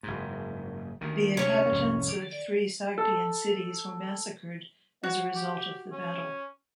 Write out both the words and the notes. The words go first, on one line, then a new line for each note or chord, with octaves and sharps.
The inhabitants of three Sogdian cities were massacred as a result of the battle.
F#1 G#2
D2 D#3
D2 C3 C#4 C#5
C2 F2 G#2
A4
F#4
G4
C#4